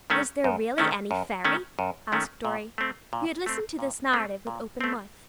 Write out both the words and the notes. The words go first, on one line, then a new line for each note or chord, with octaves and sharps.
"Is there really any fairy?" asked Dorry, who had listened to this narrative with open mouth.
D#3 A3 C#4
F#2
D#3 A3 C#4
F#2
D#3 A3 C#4
F#2
D#3 A3 C#4
A#2
A3 C4
A#2
A3 C4
A#2
A3 C4
A#2
A3 C4